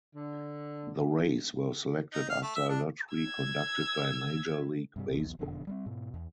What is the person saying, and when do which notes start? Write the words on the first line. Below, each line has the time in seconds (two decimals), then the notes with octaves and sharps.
The Rays were selected after a lottery conducted by Major League Baseball.
0.16 D3
2.14 D#4
2.30 F5
2.42 A3
2.55 E5
2.69 D4
3.13 E6 G#6
4.96 G2 C3 G3
5.11 B1 E2 B2
5.39 E1 F2 B2 D3
5.67 G3 G#3 C4
5.86 G#2 B2
6.14 E2